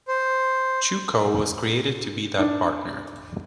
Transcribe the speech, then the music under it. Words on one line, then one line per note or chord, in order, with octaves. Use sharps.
Chewco was created to be that partner.
C5
D4